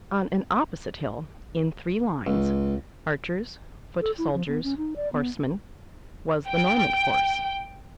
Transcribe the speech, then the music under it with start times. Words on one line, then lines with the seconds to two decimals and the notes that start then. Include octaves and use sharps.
On an opposite hill, in three lines, archers, foot-soldiers, horsemen, was the Norman force.
2.27 C#2
4.00 A4
4.18 E4
4.34 F3
4.48 B3
4.64 C#4
4.78 D#4
4.96 D5
5.13 B3
6.48 G5